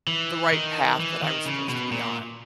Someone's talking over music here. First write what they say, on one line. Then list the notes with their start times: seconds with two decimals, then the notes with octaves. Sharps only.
the right path that I was supposed to be on,
0.07 E3
0.53 D#3
1.00 E3
1.23 D#3
1.46 C#3
1.69 B2
1.92 A#2